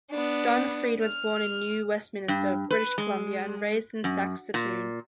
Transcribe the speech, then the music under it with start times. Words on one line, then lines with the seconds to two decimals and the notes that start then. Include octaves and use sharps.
Don Freed was born in New Westminster, British Columbia and raised in Saskatoon.
0.11 B3 D4
1.03 F6
2.28 G2
2.71 B4
2.98 G#3
4.04 F#2
4.54 A#2